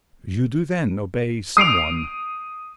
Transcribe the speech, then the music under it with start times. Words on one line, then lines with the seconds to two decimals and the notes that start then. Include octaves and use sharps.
"You do, then, obey some one?"
1.57 D#6 C7 D7 F7